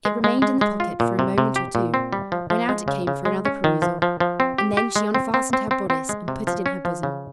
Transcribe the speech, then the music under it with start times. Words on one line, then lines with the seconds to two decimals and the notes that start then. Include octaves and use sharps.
It remained in the pocket for a moment or two, when out it came for another perusal, and then she unfastened her bodice and put it in her bosom.
0.05 G#3
0.24 G#3
0.42 G#3
0.61 G#3
0.80 F4
1.00 A#2
1.19 C3
1.38 C3
1.56 G4
1.75 A#2
1.94 C4
2.13 G3
2.32 F3
2.50 F3
2.69 G#3
2.88 C#3
3.07 C#3
3.25 G#3
3.45 C#4
3.64 D#3
3.82 F3
4.02 F3
4.20 F3
4.40 C4
4.58 G4
4.77 G4
4.96 G#3
5.15 C4
5.34 C4
5.53 C4
5.71 C4
5.90 C4
6.09 G#3
6.28 C3
6.47 F3
6.66 C#4
6.85 F3
7.03 C#3